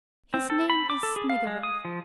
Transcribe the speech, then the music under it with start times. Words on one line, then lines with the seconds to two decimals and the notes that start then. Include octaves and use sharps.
His name is Snegiryov.
0.34 C4
0.50 A4
0.70 B5
0.90 D6
1.03 A4
1.16 G#4
1.29 F5
1.47 G#3
1.63 D#6
1.85 F3